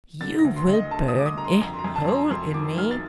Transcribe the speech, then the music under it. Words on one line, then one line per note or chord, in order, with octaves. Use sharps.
You will burn a hole in me.
D3 A6
A#6
D2
C6
D2
D#5
D3 A5
D#6
D2 D6
D#6
D3 A#5
C6
F2 A#5
C6
A#5
F2
A5
F2 C6
A#5
F2 C6
D#3 D6
F2 F6
A6